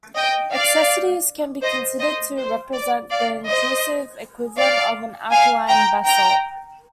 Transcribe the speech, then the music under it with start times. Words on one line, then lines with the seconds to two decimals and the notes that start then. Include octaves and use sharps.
Essexites can be considered to represent the intrusive equivalent of an alkaline basalt.
0.15 D#5 G5
0.52 D5 F5
1.62 C5 D#5
1.99 C5 D#5
2.37 C5
2.73 D5
3.11 D5 F5
3.47 C5 D#5
4.58 D5 F5
5.31 F5 G#5
5.68 G5 A#5
6.06 G5 A#5